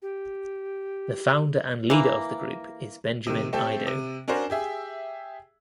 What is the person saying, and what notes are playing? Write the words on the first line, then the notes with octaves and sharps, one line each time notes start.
The founder and leader of the group is Benjamin Aidoo.
G4
E3 A#3
C3 D#3
A3 C4 G4 A4
C3
C#4 D4 F#4 A#4 C5
G4 G#4 E5